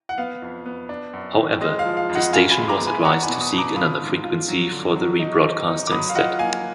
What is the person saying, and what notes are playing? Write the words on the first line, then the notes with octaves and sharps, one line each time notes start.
However, the station was advised to seek another frequency for the rebroadcaster instead.
F#5
B3 F5
F2
B3
D4
F#2
D#3
G#3 D#5
F5
F3
F5
F2
D#5 F#5
F#2 F5 G#5
G#5 B5
G#3
A#5 D6
B3
G#5 B5
D4 F#5 A#5
G#5 B5
B2
B5 D#6
B2
A#5 D6
F4 B5 D#6
G#2
F4
F#3
D3
F#3
D#4
D#4
D#4
D6
F#3 B5 D#6
F5
F4 D#5 F#5
A#3 F5 G#5